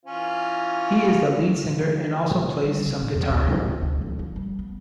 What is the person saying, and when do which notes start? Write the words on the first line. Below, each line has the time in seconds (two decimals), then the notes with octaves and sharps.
He is the lead singer and also plays some guitar.
0.05 E3 C#4 F4
2.63 G3
2.86 C#3
3.01 A#2
3.15 F2
3.30 D2
3.54 A1
3.67 E2
3.82 D2
4.02 F3
4.19 F3
4.36 G3
4.59 B3